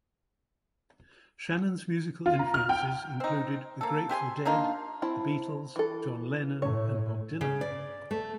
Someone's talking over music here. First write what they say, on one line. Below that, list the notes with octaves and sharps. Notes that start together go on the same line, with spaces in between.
Shannon's musical influences included the Grateful Dead, The Beatles, John Lennon, and Bob Dylan.
F4
A#5
F6
G5
C4 D#4
A#3 A4
C4 G4 G#5 C6
A#3 D4 D#4 F4
C4 E4 A5
E3 A4
A2 C#5
C#3
D5
A3